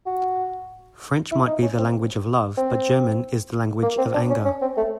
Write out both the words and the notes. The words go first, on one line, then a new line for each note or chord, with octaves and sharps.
French might be the language of love, but German is the language of anger.
F#4
E4
D#4
C#4
C4
C4
A#3
C4
D4
C#4
C#4
C4
A3